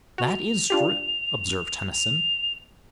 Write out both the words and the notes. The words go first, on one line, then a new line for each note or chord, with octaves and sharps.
"That is true," observed Tennyson.
F#4 F7
D4 F4 G4
F7